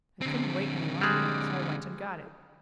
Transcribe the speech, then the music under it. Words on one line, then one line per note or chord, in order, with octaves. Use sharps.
"I couldn't wait any longer, so I went and got it."
D3 C4
G3 G#3